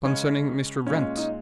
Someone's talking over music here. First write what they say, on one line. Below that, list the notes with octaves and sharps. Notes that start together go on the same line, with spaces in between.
"Concerning Mr. Wrent."
C#3 G#3 C#4
A#2 G#3 C#4
D#4